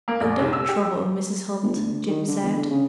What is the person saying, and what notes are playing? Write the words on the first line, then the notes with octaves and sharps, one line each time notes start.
"Oh, don't trouble, Mrs. Hunt," Jim said.
A#3
A#1
C2
E6
G4
G1
D2
D2
D#3
D3
E2
D3
C#3